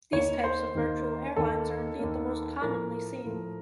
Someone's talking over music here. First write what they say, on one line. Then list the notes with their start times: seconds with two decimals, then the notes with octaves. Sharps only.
These types of virtual airlines are indeed the most commonly seen.
0.12 D#2 D#3 A#3 C#5
0.44 C5
0.74 D#2 D#3 A#3
1.36 D#2 D#3 A#3 A4
1.99 D#2 D#3 A#3
2.62 A2 F3 A3 A#4
3.24 A2 F3 A3